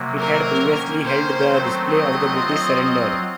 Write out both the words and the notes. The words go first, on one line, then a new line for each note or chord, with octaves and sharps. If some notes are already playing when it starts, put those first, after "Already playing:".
It had previously held the display of the British surrender.
Already playing: C3 F#3 A#3
A#4
D#3 A#3 C#4
C5
D#3 F#3 A3 C4
D#5
F#3 C4 F4